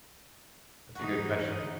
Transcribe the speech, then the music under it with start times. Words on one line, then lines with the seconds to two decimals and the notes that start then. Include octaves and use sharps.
That's a good question.
0.95 E3 D#4 F#4